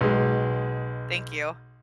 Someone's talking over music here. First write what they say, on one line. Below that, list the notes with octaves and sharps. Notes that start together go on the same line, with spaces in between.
Thank you.
B1 G#3